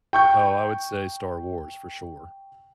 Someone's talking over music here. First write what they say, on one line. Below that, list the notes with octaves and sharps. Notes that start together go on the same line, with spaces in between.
oh, I would say Star Wars, for sure.
G5 C#6 G6